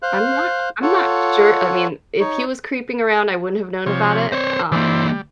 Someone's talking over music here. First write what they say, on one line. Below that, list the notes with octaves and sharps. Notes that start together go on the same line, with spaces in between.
I'm not I'm not sure, I mean, if he was creeping around, I wouldn't have known about it, um,
C5 F5 F#6
F4 A4 C#5 F#5
D#4 C#5
C3 F3 C#5
C4 C5 C#5
E3 A#3 E4 C5 D5
G3